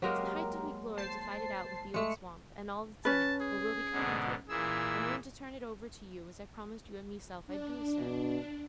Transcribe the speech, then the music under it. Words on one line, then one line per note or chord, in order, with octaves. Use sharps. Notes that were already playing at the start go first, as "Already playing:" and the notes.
It's the height of me glory to fight it out with the old swamp, and all that's in it, or will be coming to it, and then to turn it over to you as I promised you and meself I'd do, sir.
F#3 G#3 A#3 G4 A#4
C5 A5 C7
G#3 A3 C#7
C#4 B4 A5
G#4
G#2 B2 D3
A#2 E3 G#4 E6
D4
B2